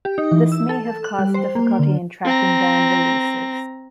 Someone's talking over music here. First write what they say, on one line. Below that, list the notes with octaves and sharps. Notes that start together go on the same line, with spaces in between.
This may have caused difficulty in tracking down releases.
G4
D#4
E3
E6
A4
F#6
G3
C5
A#3
D3
C4 A#5